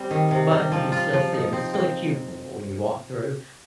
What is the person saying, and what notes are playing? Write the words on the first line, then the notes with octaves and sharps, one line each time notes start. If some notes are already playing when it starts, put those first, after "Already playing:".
but you can still see 'em- it's still a cubicle when you walk through-
Already playing: G3 C4
D#3
C3
G3
F3
F4
F3
D#4
C4
C4